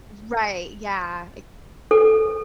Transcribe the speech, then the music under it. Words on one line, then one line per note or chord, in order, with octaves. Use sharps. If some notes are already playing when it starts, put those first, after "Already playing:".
r right, yeah i
A4